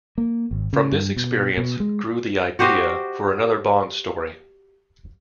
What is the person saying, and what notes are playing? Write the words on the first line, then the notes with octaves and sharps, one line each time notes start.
From this experience grew the idea for another Bond story.
A#3
G#1
C#3
G2
B2
B2
G#3
F#4 G4 C5 D#5